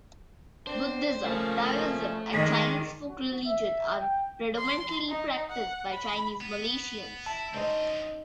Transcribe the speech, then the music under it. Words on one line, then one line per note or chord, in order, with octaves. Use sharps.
Buddhism, Taoism, and Chinese folk religion are predominantly practised by Chinese Malaysians.
C4 D4 C5
A#2 C#3 F3 A3 A#3 C#4
D#3 G#3 D5
F#4
E5
G5
C6
D#4
F#5
B5
B3
E4 A5
C4 C#4 D#4 C5 D#5